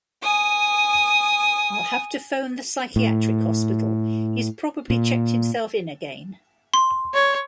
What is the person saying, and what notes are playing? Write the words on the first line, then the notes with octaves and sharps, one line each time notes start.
I'll have to phone the psychiatric hospital, he's probably checked himself in again!
G#5 D#6
A2
A#2
C6
C#5